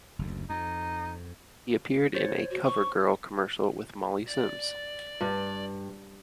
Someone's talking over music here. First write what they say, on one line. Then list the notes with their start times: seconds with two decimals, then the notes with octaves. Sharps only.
He appeared in a "CoverGirl" commercial with Molly Sims.
0.19 F#1 D2
0.50 F2 D#4
2.14 C5 C#5 A6
2.51 F#4
2.64 C#6
4.27 D5
5.21 G2